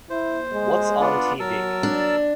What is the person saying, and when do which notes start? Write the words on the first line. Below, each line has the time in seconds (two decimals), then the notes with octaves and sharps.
What’s on T V?
0.10 E4 C5
0.53 G#3
1.00 B3 D4 F4
1.40 F#3 A#4 A5 E6
1.83 D4